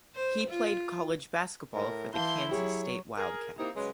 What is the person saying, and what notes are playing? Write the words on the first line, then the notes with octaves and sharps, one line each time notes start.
He played college basketball for the Kansas State Wildcats.
C5
F4
A2 A#4
E3 E4 F5 A5 C6 G6
F#3 G4 G#4 C#5
G#4 A#4
A#3 C4 D#4 E4 G4
C#3 F#3 G#3 C#4 B4